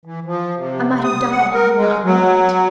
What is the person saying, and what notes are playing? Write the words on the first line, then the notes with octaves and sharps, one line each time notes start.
I might have died and he not known it!
E3
F3
C3
D#6
F#5
A#4
G#3
F#3